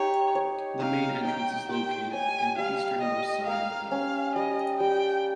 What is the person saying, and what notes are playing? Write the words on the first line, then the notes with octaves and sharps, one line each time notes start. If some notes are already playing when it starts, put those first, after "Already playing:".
The main entrance is located in the easternmost side of the hill.
Already playing: D#4 G4 C#5
C#5
D#4 F5
D#4 G5
G4 G5
C#5 G#5
G3 F5
G3 D#5
A#3 F5
C#4 F5
G3 D#5
G3 G5